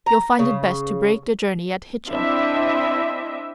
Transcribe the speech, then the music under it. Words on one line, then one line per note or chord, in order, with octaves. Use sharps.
You'll find it best to break the journey at Hitchin.
A#5
C#3
C4 D4 E4 D#5 E5